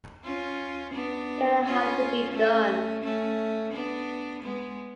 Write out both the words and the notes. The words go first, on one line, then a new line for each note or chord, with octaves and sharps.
It'll have to be done.
C#4 F4
B3 D4
C#4 F4
A3 C#4
A3 C#4
B3 D4
G#3 B3